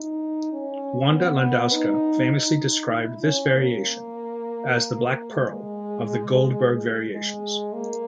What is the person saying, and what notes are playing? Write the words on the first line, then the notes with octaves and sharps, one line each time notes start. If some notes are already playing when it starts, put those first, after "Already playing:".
Wanda Landowska famously described this variation as "the black pearl" of the "Goldberg Variations".
Already playing: D#4
C#4
B3
D#4
D#4
E4
C#4
A#3
G#3
G#3
A#3